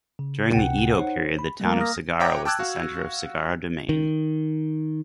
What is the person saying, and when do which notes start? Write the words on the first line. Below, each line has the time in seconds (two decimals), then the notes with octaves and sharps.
During the Edo period, the town of Sagara was the center of Sagara Domain.
0.19 C#3
0.54 C#2 C3 F#5 G5
0.97 D#4 C5 C#5
1.39 B5
1.60 G3 A3 A#3
1.80 D#6 F6 A#6
2.20 C#5 E5 F#5 G5 A#5 D6
2.45 G5 A5 D6 E6 F#6 G#6
2.59 F#4 F5
3.89 D#3